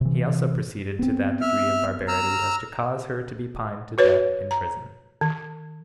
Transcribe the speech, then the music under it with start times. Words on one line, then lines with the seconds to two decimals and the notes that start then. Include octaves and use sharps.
He also proceeded to that degree of barbarity as to cause her to be pined to death in prison.
0.01 C3 E3
0.99 B3 C4
1.41 E5 F6
2.08 A#5 E6 F6
3.98 F#4 B4 C#5
4.51 A#5
5.21 D#3